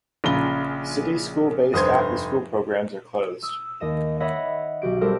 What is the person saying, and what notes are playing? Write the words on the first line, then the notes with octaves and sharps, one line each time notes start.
City school-based afterschool programs are closed.
A#1 C#3 F4 A#5 B5 G7
F1 G2 C5 D#6 G#6
D#6 E6
D#2 D#5 E7
C#5 D#5 E5 F#5 B5
B1 F#4 G4 D7
G3 C4 G4 A4 A#4